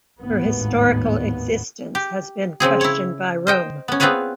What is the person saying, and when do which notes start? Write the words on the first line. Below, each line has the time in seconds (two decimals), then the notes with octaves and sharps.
Her historical existence has been questioned by Rome.
0.20 G#1 D#2 A2 B3
1.95 G4
2.60 C#3 F3 C4 G#4
2.81 E4 C#5
3.47 C5 D#5 G5
3.88 B3 C#4
4.00 B3 C4 F4 G#4 B4 C#5